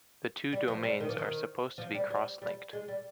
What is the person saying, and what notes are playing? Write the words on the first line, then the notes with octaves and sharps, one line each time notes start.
The two domains are supposed to be cross-linked.
G3
F3
G3
D#3
F3
D#3
F3
G3
G3
G3
G#3
G3